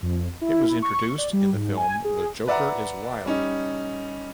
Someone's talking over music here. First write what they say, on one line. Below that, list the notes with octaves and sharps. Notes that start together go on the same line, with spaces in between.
It was introduced in the film The Joker Is Wild.
F2
E4
C#6
D5
G3
G#2
G#5
G#4
B4 D5 E5 F#5 A#5
G3 C#4 D#4